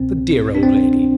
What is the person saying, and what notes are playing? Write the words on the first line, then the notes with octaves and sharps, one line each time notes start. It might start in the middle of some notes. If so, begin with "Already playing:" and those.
The dear old lady!
Already playing: C2 B2 C4
D4
C4